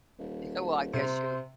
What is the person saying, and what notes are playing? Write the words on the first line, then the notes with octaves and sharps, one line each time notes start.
Yeah, well, I guess you
D#1
C3 C5